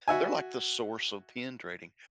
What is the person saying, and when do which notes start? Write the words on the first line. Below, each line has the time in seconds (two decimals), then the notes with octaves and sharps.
they're like the source of pin trading.
0.08 F#4 E5 G#5